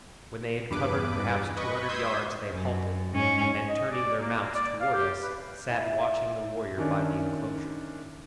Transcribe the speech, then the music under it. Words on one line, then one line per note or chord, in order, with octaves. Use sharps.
When they had covered perhaps two hundred yards they halted, and turning their mounts toward us sat watching the warrior by the enclosure.
E2 G2 B4 D6
B4 D#5 B5 C#6
C6 D#6 E6 G6 G#6 B6
F#2
G#2 C#4
D#5
D5
A#3
D5
F5
G4
B4
E4
D#3 C#4 D4